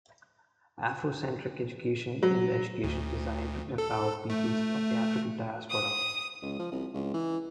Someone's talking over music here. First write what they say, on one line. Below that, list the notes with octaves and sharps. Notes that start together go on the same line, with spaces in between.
Afrocentric education is education designed to empower peoples of the African diaspora.
F#3
D2
A4
A3
D#6
C#2
F3
C2
C#2
E3